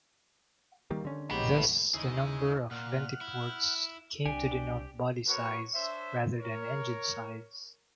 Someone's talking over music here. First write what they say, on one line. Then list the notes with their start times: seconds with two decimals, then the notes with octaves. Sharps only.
Thus the number of VentiPorts came to denote body size rather than engine size.
0.90 D#3 G3 A#3
1.05 D3 C#4
1.31 A#1 F#3 G#3 D#4 F#4 G4 B4
1.52 A2 E3 A3
1.94 D#2 C#3 E4 G#4 D#5
2.71 A#2 F#5 F6
3.21 E4
4.26 C2 D4 G4 G#5
5.27 B3 F#4 A#4 B4 C#5 C#6
5.74 D4 C5 C#5 E5
6.41 A#4 C#5